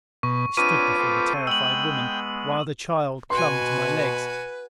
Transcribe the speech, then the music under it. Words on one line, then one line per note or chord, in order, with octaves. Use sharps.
I stood before the terrified woman while the child clung to my legs.
B2 C#6
C4 D4 F4 B4 C#5 D6 D#7
C4 A4 C5
G#3 B3 G5 E6 F#7
B2 F#4 B4 G#5 C6